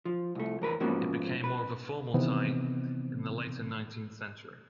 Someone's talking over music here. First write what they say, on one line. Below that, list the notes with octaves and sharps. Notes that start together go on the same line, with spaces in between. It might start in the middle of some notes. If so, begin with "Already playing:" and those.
It became more of a formal tie in the later nineteenth century.
F3
C2 A3
E2 A#4 B4
G#2 F3 A#3 B3 C#4 F#4
B4
C3 D#3 E3 B3 C4 D#4